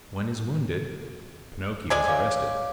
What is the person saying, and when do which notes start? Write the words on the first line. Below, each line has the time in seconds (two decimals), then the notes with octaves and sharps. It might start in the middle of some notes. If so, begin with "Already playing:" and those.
One is wounded. Pinocchio is arrested.
1.90 G#3 D5 G#5
2.08 C#5 F5 D6